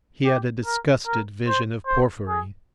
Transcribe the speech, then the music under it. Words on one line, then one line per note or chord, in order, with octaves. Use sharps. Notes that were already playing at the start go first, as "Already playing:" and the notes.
He had a disgusted vision of Porfiry.
G4
A#4
A#4
C5
C5
G#4